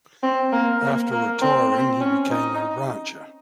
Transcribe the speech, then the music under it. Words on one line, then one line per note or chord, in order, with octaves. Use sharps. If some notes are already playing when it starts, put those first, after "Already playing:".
After retiring, he became a rancher.
C4
A#3
A#3
A#3
C4
C4
C#4
D#4